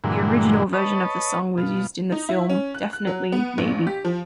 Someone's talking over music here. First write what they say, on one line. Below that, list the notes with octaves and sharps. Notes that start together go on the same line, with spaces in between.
The original version of the song was used in the film, "Definitely, Maybe".
G2 A#2 D3 E3 F#3 G#3
B4 C#5 D#5 A5
B2 F4
D#4
E4
C#4
F#6
F#6
F#3
B3
A#1
G4
F3